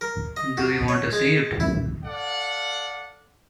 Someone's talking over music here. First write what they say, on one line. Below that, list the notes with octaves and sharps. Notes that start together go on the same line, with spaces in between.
Do you want to see it?
A#4
D#5
F#4
C#5
G#3
E4
A4 D5 F5 F#5